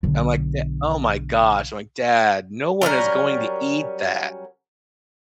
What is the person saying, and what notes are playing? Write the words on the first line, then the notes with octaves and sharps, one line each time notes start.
I'm like, "Da oh my gosh." I'm like, "Dad, no one is going to eat that.
B1 D3
F#3 G3 C#4 A#4